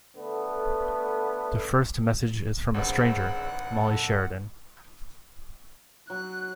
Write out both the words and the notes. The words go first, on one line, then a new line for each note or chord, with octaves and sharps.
The first message is from a stranger, Molly Sheridan.
D3 A3 B3
G#1 G2 C#3 C5 F#5 E6
F2 A#2 A4
F#3 F#6